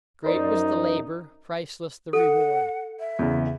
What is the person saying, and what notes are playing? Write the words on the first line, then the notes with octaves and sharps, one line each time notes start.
Great was the labour; priceless the reward.
F#2 D#4 A#4 C5 D5
A4 F#5
E5
E2 C#3